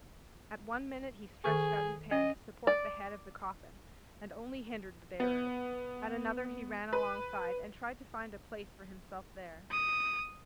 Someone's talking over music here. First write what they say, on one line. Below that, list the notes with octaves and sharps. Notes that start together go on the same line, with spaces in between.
At one minute he stretched out his hand to support the head of the coffin and only hindered the bearers, at another he ran alongside and tried to find a place for himself there.
D#3 G#4 A4 C#6
C#4 D#5
D5
B3
B4
D#6